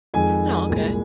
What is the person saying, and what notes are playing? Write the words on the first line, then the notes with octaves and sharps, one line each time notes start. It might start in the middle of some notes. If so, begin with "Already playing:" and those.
Oh, okay.
F2 D#3 G#3 G#5
C2 A#2 G#3